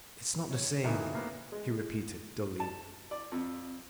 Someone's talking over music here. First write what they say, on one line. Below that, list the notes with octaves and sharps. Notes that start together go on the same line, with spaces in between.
"It's not the same," he repeated dully.
C#5
D2 B2 E3 A#3 D#4 E5
A2 A#3 B3
G#3
A5
D5
F2